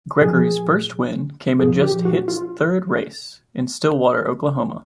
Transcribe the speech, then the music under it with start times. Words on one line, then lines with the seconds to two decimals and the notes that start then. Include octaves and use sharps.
Gregory's first win came in just his third race, in Stillwater, Oklahoma.
0.21 A#2 F3 G#4
1.59 F3 G#4
1.64 A#2
1.82 G4
2.05 F#4
2.28 F4